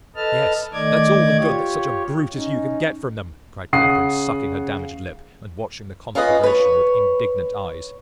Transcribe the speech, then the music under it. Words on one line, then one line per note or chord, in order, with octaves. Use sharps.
'Yes that's all the good that such a brute as you can get from them!' cried Catherine, sucking her damaged lip, and watching the conflagration with indignant eyes.
A4 B4 D#5 A5 F6
D#3 A3 D5 D#5 D6 G#6
F4 G4 C#5
C#4 D#4
C#3 F#5 D#6 C7
C#4 F4 G#4 B4 D#5
B4 C#5